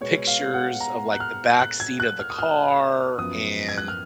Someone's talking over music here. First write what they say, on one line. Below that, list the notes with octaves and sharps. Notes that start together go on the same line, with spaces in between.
pictures of, like, the back seat of the car, and,
B2 G#3 B3 C#5
F5
F#5
A#5
F#6
F6
F#6
G#6
F#6
F6
D#6
F6
F#2 F3 B3 D#6
G#6
F#6
F6